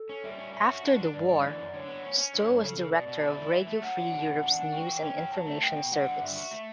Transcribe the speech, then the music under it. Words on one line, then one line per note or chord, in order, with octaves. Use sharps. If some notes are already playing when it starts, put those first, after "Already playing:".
After the war, Stowe was director of Radio Free Europe's News and Information Service.
Already playing: A4
C#4
G3 E5
C#4
C#4 E5
F#4
D4
D4
G2 D5
D3
E3
F#2
D3 C#5
B3
C#4
C#4
D3
G2
C#3 A4
C#3
B2 D5
B2
E4
E3
E3 E5
A3
F#3 F#5
D4
B2
E2
D4
D4
F#4 G5
E3
C#4
F#3
F#3 A5
A3
B3 G5
B2
G3 F#5
D3
G2 E5
F#4
A3